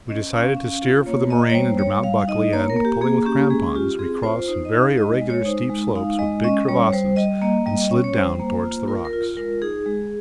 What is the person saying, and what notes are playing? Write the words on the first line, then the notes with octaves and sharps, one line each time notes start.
We decided to steer for the moraine under Mt. Buckley and, pulling with crampons, we crossed some very irregular steep slopes with big crevasses and slid down towards the rocks.
C#4 D#5
C#4 F5
C#4
F4
A#3 C#5
A#3 D#5
C#5
G3 C5
G3 C#5
G3 F5
D#4 D#5
A#3 C#5
A#4
A#3
G4
A#3 G#4
C#4 G4
G#3 G#4
F4 G4
C4 G#4
F4 C5
D#4 C5
D#5
D#4
F5
G#3 D#5
D#5
G#3
C#5
D#4 C5
G#3
D#4 F5
G#3 D#5
C#4 D#5
G3 C#5
G3 C5
G3 D#5
A#3 D#5
G3 D#5
C#4 C#5
C#5
G3 C5
A#3
F4
F4 A#4
A#4
F4
G#3 A#4
D#4 G#4
G#3